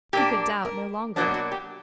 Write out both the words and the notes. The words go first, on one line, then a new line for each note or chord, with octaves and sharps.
He could doubt no longer.
A#2 A#3 D4 G4
A#4
B2 F#3 A#3 D4 F#4
F#4
G4